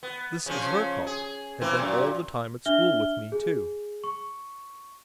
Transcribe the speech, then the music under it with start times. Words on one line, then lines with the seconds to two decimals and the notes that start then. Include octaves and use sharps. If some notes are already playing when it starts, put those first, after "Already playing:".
This Zverkov had been all the time at school with me too.
0.03 B3
0.46 C#3 F3 C#4
1.06 G#4
1.61 E3 A#3 C4
1.77 F#2 A#2
2.65 D4 E5 F6 G7
3.32 G#4
4.04 C#6